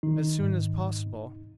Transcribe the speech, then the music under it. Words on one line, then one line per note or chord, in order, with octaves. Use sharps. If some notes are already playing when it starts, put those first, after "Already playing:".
"As soon as possible."
D#3 D#4
G#2
G#2